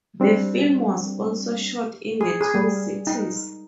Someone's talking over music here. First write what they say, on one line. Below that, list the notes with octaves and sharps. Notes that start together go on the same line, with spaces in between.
The film was also shot in the Twin Cities.
G3 C4 D4
G#4
G#4
G3
D#4